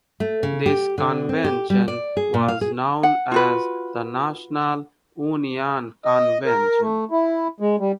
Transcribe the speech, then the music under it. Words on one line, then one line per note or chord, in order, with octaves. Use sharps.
This convention was known as the National Union Convention.
A3
C#3
G4
D3
C4
G4
G3
D5
G#4
A#2
F5
G#4
F#5
F4 F#4 B4
D#5
A#4
A3
E4
G#3
G3